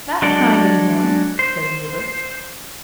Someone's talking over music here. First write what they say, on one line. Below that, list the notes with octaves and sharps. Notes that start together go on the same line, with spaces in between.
"That's kind in him," said Hubert.
F#3 G#3 D4 A4 D5
C5